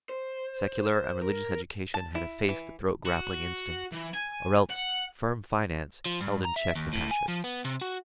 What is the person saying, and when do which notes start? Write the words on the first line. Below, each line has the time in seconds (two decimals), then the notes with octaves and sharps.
Secular and religious education had effaced the throat-grappling instinct, or else firm finance held in check the passions.
0.09 C5
1.22 A#4
1.94 A5
2.15 E4
2.49 E3
3.05 F#4
3.92 E3
4.14 G#5
4.70 F#5
6.06 F3
6.21 G2
6.45 A#5
6.56 E5
6.75 D#2
6.93 A2
7.11 G#5
7.28 F3
7.44 B3
7.65 C3
7.81 F#4